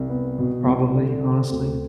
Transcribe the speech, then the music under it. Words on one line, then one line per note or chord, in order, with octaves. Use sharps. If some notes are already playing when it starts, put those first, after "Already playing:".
Probably, honestly.
Already playing: C2
B3
B2
C2
D3
C4
D2